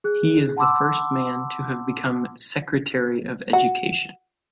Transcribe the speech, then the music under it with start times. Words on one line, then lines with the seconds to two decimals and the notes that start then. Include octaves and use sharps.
He is the first man to have become Secretary of Education.
0.04 G#4 F#6
0.57 F#5 A5 B5 C6 D6 E6
3.53 F#4